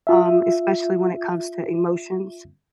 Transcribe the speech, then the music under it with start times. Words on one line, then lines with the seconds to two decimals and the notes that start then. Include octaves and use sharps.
um, especially when it comes to emotions.
0.07 F4 E5